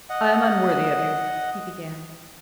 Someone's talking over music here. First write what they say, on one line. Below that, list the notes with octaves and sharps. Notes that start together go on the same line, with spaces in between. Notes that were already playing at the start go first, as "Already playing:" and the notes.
"I am unworthy of you," he began.
D#5 F#5